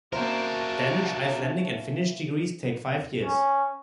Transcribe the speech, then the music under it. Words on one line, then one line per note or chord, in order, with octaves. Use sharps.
Danish, Icelandic and Finnish degrees take five years.
A#3 C#4 D4 E4 F#4 A#4 C5 A5
C#4